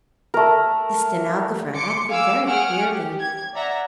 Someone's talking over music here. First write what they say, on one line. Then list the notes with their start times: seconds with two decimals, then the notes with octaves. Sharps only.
The stenographer acted very queerly.
0.34 A3 A#4
1.74 C6 D6 C#7
2.09 F5 G#5 D6 E6
2.48 G#4 F#5 G#5 C#6 F6 D7
2.90 G4
3.21 G#6
3.55 D5 E5 F#5 A#5